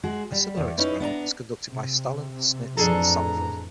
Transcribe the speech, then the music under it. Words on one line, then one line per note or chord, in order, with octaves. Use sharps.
A similar experiment was conducted by Stallen, Smidts, and Sanfrey.
G#3 F#4 G#4
G3
E2
C#4 D#4 E4 B4
B3 D4 D#5 A#5
C3
F2 A2 E3 D4 G#4 A4 A#5